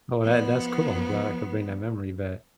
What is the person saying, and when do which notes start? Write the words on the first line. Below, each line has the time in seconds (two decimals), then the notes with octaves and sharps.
Oh, that that's cool, glad I could bring that memory back.
0.22 F3 B3